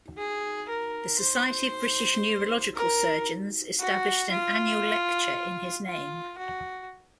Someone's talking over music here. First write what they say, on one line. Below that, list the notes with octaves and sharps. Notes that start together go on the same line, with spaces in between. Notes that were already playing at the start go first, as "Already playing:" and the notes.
The Society of British Neurological Surgeons established an annual lecture in his name.
G#4
A#4
C5
A#4
F#4
F4
F4
F#4